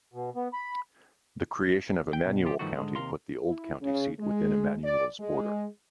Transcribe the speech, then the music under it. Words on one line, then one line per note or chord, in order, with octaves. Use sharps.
The creation of Emanuel County, put the old county seat within Emanuel's border.
B2
B3
B5
G5
B2
F3 F4 G4
G2 D#3 F3 A3 D4 F#4
G#2 D3 G#3
D#2 C3 A#4 F5 C6
E4
C#3
G#3
D5
G#3